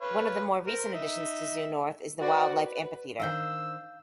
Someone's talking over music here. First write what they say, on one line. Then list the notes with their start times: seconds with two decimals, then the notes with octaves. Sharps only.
One of the more recent additions to ZooNorth is the Wildlife Amphitheater.
0.01 B4 C#5 F5
0.67 A#4 C5
0.94 D#4 E5
2.19 F#4 B4 C5 D5 F#5
2.51 B4
3.20 D#3 D4 C5 F5 E6 G6